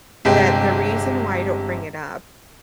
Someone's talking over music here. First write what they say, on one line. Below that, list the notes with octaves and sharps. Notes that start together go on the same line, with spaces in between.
that the reason why I don't bring it up
G1 C3 G#3 G5